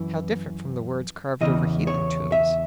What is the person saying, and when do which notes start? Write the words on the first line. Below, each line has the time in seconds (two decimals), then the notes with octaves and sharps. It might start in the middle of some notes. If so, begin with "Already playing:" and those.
How different from the words carved over heathen tombs!
Already playing: F#2 E3
1.41 E2 C#3 E3 D#5
1.87 C#5
2.32 E5